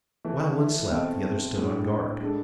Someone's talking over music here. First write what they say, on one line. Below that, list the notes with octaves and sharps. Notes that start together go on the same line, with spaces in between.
While one slept, the other stood on guard.
E3 A3 E4
B2 A3 C4
A2 G#3 D4 G#4
G#3 D4 A4